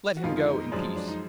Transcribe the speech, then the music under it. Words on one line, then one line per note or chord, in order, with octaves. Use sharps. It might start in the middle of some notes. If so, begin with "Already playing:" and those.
Let him go in peace.'
F#4
F2 D#3 G#3 F4
F4
D#4
D#4
F#2 F3 G#3 D4
D4
D#4